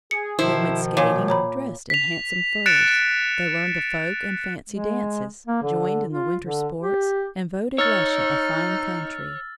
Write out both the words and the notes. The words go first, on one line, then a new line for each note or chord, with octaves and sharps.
They went skating, dressed in handsome furs; they learned the folk and fancy dances, joined in the winter sports, and voted Russia a fine country.
G#4 C#7
B2 D#3 F3 E4 C5
A#2 C#5 G#5
C#5 A#5 B5
B6 F7
F#6 A6 C#7 D7 E7
G#3
A#3
D3
F4
D3
G4
D#4 C#5 E6 F6 A6